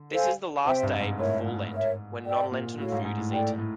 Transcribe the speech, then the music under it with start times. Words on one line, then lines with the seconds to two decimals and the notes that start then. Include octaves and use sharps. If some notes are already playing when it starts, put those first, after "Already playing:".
This is the last day before Lent when non-lenten food is eaten.
Already playing: D3
0.11 A4 C5 F5 G#5
0.65 C3 C5 E5 G5
0.83 G2
1.00 G#2
1.18 A2 A#4 C#5 E5
1.45 G#2
1.71 A#4 C#5 E5
2.25 A4 D5 G5
2.52 A#2
2.78 A2 F#4 A4 C#5 F5
2.92 G#2
3.04 G#2
3.18 A2
3.31 A2 A4 D5 G5
3.59 A2